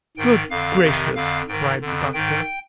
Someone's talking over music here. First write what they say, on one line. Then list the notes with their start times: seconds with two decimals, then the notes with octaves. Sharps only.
"Good gracious!" cried the Doctor.
0.17 G#2 D#3 G5
0.50 F2 D3 F5
0.83 F2 C3 D#3
1.15 F2 D3 F5
1.48 G#2 D#3 G5
1.81 F2 D3
2.13 G#2 D#3 G5